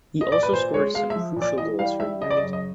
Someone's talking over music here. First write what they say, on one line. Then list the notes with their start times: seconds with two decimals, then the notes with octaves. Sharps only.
He also scored some crucial goals for United.
0.21 D#5
0.32 A#2 D5
0.43 B4
0.52 A#2 C5
0.74 G#3 C#5
0.94 G#3 F5
1.10 E5
1.16 F3
1.36 A#2
1.42 D5
1.58 E3 D#5
1.79 G3 F5
2.00 G3 E5
2.21 C#3 D#5
2.30 D5
2.37 D#5
2.43 F#2
2.53 D#5